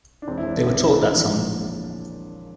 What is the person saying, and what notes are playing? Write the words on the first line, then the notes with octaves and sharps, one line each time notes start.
They were taught that song.
D4
E1 C4
E4
E1 D4
D3
C4
E2
A#1 D4
A#1
F3
A#2